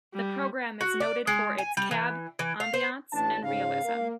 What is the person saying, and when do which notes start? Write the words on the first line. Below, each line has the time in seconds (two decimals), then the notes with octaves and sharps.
The program is noted for its cab ambiance and realism.
0.14 G3
0.81 F#4
1.00 D5
1.27 G#3
1.58 G#5
1.77 G3
1.91 E3
2.39 E3
2.60 F5
2.74 C5
3.12 A1 D4 A5
3.43 G#2 C#3 F5
3.83 A#3